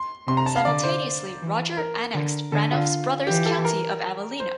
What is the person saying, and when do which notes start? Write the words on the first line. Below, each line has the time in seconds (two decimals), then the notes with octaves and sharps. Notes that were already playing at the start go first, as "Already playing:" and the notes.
Simultaneously, Roger annexed Ranulf's brother's County of Avellino.
Already playing: C6
0.27 C3 C6
0.37 A#5
0.46 A5
0.56 F5
0.65 D3 D5
0.83 C5
1.40 E3
1.77 A#4
2.15 D3
2.52 D3 A4
2.71 F4
3.27 E3 G4
3.46 A4
3.65 A#4
4.40 C5